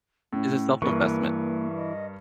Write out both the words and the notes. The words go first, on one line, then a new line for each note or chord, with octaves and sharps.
It's a self investment.
A2 C#4
G2 E3 A#3 A#4 C#6
D#5